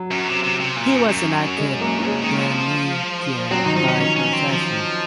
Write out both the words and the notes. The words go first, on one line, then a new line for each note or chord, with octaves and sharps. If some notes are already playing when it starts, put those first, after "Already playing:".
He was an academician by profession.
Already playing: F#3
F#2
C3
C3
C3
A#2
F#2
F#2
G#3
A#3
C#3 G#3
D#3
F3
F#3 C4
D#3 D#4
F3 D#4
C#4
D#3 C#4
C#4
C4
F3